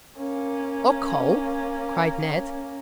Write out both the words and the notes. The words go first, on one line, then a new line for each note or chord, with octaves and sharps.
"Or coal," cried Ned.
A#3 C#4